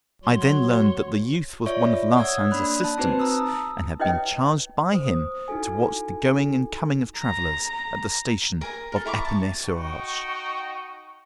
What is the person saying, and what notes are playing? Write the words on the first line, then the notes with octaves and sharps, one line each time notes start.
I then learned that the youth was one of Larsan's assistants and had been charged by him to watch the going and coming of travellers at the station of Epinay-sur-Orge.
F#3 F#4 C#5 C6
F4 C#5 D5 E5 C#6
C#5 F#5 D#6 E6 G#6
A#3 D4 D5 B5 F#6
A5 F#6
C4 D#4 F#4 B4 C5
A5 A#5 D#6 E6
E4 B4 C#5 D#5 G5
C5 D#6
D#4 E4 F#4 A4 G#5
A#5
A#4 G#5 A#5
A4 A#4
E4 A#5 C#6 D6
A5 C#6
D#4 F#4 G5 C#6